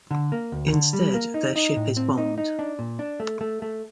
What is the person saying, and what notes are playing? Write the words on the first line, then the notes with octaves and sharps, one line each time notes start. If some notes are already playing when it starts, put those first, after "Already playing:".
Instead, their ship is bombed.
D3
A#3
D2
D3
G3
A#3
D#4
D#4
A2
C4
D#4
D#4
D4
A#2
D4
A3
A3
A3